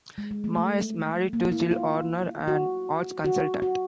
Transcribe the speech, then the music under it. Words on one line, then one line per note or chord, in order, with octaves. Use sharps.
Ma is married to Jill Hornor, an arts consultant.
G#3
G#3
A3
A3
A#3
E4
F4
F#4
F#4
F#4